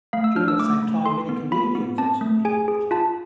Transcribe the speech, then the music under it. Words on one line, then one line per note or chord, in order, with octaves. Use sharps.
During that same time, many comedians also appeared at the club.
A3 F5
E6
D4 F6
E6
A3 D6
A3
A4 C6
B3
F4 B5
B3
C4 A5
A3
G#4 G#5
G#4
F4 A5